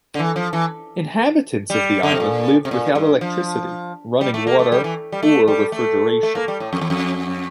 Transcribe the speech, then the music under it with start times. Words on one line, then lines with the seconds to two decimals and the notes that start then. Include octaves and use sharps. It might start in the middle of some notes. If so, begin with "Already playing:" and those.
Inhabitants of the island lived without electricity, running water or refrigeration.
0.15 D3
0.19 E3
0.36 F3
0.53 E3
1.70 G3
2.03 D3
2.12 C3
2.20 A#2
2.65 C3
2.71 A#2
2.95 G2
3.21 F3
4.21 G3
4.34 A3
4.47 A#3
4.59 A3
4.72 G3
4.84 E3
5.12 G3
5.23 A3
5.48 G3
5.72 A3
6.23 A3
6.35 A#3
6.48 G3
6.60 A2
6.73 F2
6.81 E2
6.90 F2